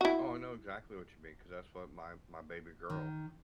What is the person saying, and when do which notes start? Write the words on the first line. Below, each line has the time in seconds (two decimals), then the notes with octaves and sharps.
Oh, I know exactly what you mean, 'cause that's what my my baby girl,
0.01 E4 F#4
2.90 D#3